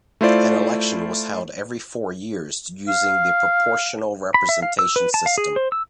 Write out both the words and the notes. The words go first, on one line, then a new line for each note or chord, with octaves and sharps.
An election was held every four years using the proportional representation system.
A3 E4 F4 C5 D5
F5
B5
E5
F5
E6
B4
A5
F5
G#4
C5
E6